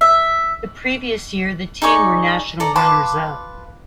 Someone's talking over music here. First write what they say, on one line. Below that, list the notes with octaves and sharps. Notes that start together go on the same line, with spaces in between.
The previous year the team were national runners-up.
E5
D#4 G#4 D5 C#6
A4 D5 A#5
F4 B4 A5 D6